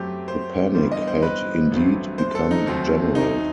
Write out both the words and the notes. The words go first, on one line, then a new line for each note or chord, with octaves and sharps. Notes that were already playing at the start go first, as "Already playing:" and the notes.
The panic had indeed become general.
Already playing: F#2 F#3 A3 C4 G4
C5
G2 E3 G3 B3 C5
D#5
C5
B4
A1 G2 F#3 A3 C4
C5
A4
D#4
D#2 D#3 F#3 A3 C4
D#4